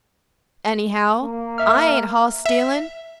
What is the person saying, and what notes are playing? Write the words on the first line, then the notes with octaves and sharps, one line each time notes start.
Anyhow, I ain't hoss stealin'.
A#3
E5 F6
E5